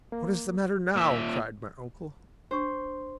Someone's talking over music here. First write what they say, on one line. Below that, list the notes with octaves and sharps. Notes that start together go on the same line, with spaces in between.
"What is the matter now?" cried my uncle.
A#3
A#2 E5
D4 C5 C#6